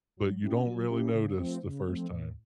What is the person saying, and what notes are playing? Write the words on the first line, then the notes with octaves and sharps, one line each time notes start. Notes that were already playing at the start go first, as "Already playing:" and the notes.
but you don't really notice the first time.
F#3
A#3 C#4 E4 G4
F#3
A#3 C#4 E4 G4
C#3
F3 A3 C4
C#3
F3 A3 C4
A2